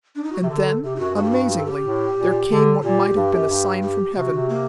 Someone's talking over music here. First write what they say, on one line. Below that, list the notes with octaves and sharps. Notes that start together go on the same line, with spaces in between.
And then, amazingly, there came what might have been a sign from heaven.
D4
D#4
F#4
C3 G4
D3 A4
C3 G4
D#4
F#2 F#4
F#2
G2 F#4
G4
F#4
G4
A4
G4
A2
A#2
D3
A#2 G4
G2
F#2
G2
G4
C3 F#4
C3
A#3